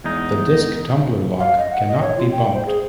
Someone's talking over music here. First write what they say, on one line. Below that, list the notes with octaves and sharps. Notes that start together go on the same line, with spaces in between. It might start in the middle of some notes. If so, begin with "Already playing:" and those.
The disc tumbler lock cannot be bumped.
E2 G#3 D#4
F5
D#5
F#5
D#5
C#5
F4
G5
C5
G#4